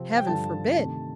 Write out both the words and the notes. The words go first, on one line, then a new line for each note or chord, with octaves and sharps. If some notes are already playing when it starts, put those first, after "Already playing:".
Heaven forbid!
Already playing: C3 F3 C4
G5
G2 D3 F3 A5
C3 D#3 A3